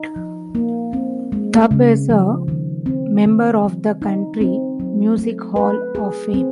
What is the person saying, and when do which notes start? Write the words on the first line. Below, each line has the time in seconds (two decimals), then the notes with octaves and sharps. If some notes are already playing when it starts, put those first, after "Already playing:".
Tubb is a member of the Country Music Hall of Fame.
Already playing: D#4
0.16 F3
0.55 A#3
0.93 C4
1.32 G#3
1.71 C#3
2.10 F3
2.48 D#3
2.86 C4
3.26 D#3
3.64 G3
4.02 D#4
4.41 C4
4.80 F#3
5.18 A3
5.56 B4
5.95 G#4
6.34 C4